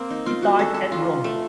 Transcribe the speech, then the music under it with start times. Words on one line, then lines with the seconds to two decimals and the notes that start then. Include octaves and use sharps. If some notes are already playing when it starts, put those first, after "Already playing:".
He died at Rome.
Already playing: A#3 C4
0.11 D#4
0.26 F4
0.42 F#4
0.59 A4
0.74 A4
0.92 F4
1.24 A3